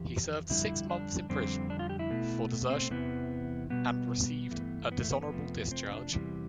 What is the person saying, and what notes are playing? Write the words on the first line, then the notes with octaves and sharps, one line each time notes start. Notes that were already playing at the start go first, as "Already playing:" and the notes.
He served six months in prison for desertion and received a dishonorable discharge.
Already playing: F2 E3 G4
F2 D3 G3 E4
D4
F2 D3 G3 C4
D4
F4
G4
E4
B2 A3
C4
E2 C3 E3 B3
B2 G3 B3
G2 E3 A3
B3
A3
B3
B3
F2 C3 F3 A3
C4
D4
E2 C3 E3 G3